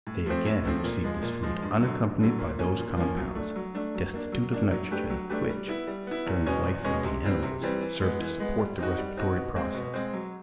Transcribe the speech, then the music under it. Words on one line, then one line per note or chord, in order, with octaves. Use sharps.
They, again, receive this food unaccompanied by those compounds, destitute of nitrogen, which, during the life of the animals, served to support the respiratory process.
A2
F3 A3 C4
A2
F3 A3 C4
A#2
F3 G#3
A#2
F3 G#3
G2
D3 F#3
G2
D3 F#3
A#2
F3 A#3 C#4
A#2
F3 A#3 C#4
F#3
A3 D4
F#3
A3 D4
F#3
A#3 D4
F#3
A#3 D4
F#3
A3 D4 G4 B4
F#3
A3 D4 G4 B4
G3
B3 E4
G3
B3 E4
E2
B2 G#3 C#4
E2
B2 G#3 C#4
C3
E3 G3 C4
C3
E3 G3 C4
E3
G#3 B3
E3
G#3 B3
G3
C4 D#4 F#4
G3
C4 D#4 F#4
B2
G#3 C4
B2
G#3 C4
F#3